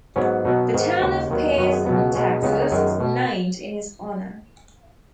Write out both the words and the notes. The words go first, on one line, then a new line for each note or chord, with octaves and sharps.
The town of Pearson, Texas was named in his honor.
G#2 F#3 B3 C#4
B2 F#3 B3 D#4
G#2 D#3 B3
D#2 C#3 G#3 F#4
D#2 D#3 F#3 B3
F#2 D#3 F#3 B3 F#4
G#4
C#2 B2 F#3 B3
B2 G#3 B3 C#4
D#4
C#2 C#3 B3 D#4
C#4
D#4
F#2 D#3 F#3 G#4
B2